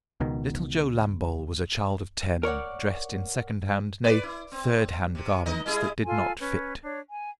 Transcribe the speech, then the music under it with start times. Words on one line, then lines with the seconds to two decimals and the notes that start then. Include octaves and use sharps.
Little Joe Lambole was a child of ten, dressed in second-hand, nay, third-hand garments that did not fit.
0.20 C#2 B2 D#3
2.43 A#4 C#5 D5 F#5
4.04 B4 D5
4.23 E4
4.52 C4
5.15 C3
5.46 D#3 D#4 D#5
5.66 G3 E4 G#4
6.06 F4 A4 G#5 C6
6.40 C#4 B4
6.83 D4 C#5
7.10 G#5